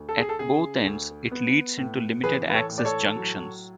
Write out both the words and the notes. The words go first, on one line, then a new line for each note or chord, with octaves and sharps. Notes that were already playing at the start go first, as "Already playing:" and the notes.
At both ends it leads into limited-access junctions.
Already playing: D2
A4
G#4
A4
C#3 G#4
D2
B3
A2
E3 G#4 B4
B4
A4 C#5
A2
D5
A4 C#5
F#3